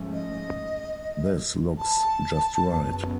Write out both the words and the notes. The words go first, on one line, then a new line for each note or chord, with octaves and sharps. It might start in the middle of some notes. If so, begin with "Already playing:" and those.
This looks just right.
Already playing: G#2 F3 A3 C#4
D#5
A5
F#2 C#3 F#3 B3